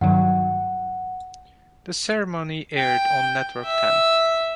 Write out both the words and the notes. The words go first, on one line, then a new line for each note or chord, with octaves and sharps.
The ceremony aired on Network Ten.
G2 D#3 F#3 F#5
G5
E5